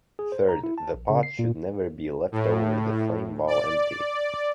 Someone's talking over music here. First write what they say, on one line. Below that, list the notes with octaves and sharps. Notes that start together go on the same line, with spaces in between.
Third, the pot should never be left over the flame while empty.
G#4
C5
A#5
E4
A5
A#1
C#3
C7
A#2
A2
D5